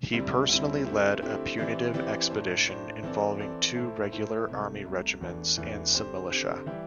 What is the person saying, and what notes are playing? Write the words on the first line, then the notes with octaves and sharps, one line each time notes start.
He personally led a punitive expedition involving two Regular Army regiments and some militia.
D2 C3 G3 C4 E4
D2 C3 G3 C4 E4
D3 A3 C4 E4 G4
D3 A3 C4 E4 G4
E3 C4 E4 G4 D5
E3 C4 E4 G4 D5
A2 A3 D4 C5
A2 A3 D4 C5
E3 C4 A4 D5
E3 C4 A4 D5
A2 A3 E4 A4 C5
A2 A3 E4 A4 C5
C2 C3 A3
C2 C3 A3
E2 E3 A3 D4
E2 E3 A3 D4
D3 C4 G4 C5
D3 C4 G4 C5
E3 G3 E4 G4